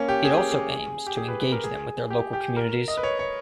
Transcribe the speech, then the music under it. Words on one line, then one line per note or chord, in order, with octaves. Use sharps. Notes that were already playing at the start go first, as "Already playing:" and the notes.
It also aims to engage them with their local communities.
Already playing: A#3 C#4
G4
G#4
G4
G#4
G4
G#4
B4
B4
A#4
G#4
G4
G4
A#4
D#5
B4
C#5
C#5